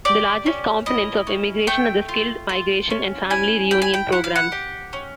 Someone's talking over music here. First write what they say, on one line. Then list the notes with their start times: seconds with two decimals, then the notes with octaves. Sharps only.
The largest components of immigration are the skilled migration and family re-union programs.
0.05 G4 D5
0.46 C#4
0.86 E4 D#5
1.27 C#4
1.67 A3 G5
2.09 F4
2.49 F4
2.90 C#4
3.30 E4 G#5
3.71 E4 G5
3.82 G#5
3.94 G5
4.12 E4 F#5
4.24 F5
4.36 F#5
4.52 G4
4.93 C#4